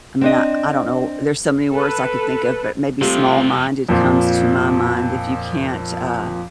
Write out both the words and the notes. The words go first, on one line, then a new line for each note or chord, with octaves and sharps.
I mean, I I don't know, there's so many words I could think of, but maybe "small-minded" comes to my mind; if you can't, uh
C4 D4 D#5
A4 B4
C3 F3 G3 A3 C4 F4 G4
F2 A#2 F3